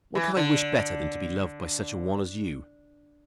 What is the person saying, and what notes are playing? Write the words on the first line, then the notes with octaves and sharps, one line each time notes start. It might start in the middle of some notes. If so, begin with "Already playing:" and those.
What could I wish better than to be loved by such a one as you?
E3
D3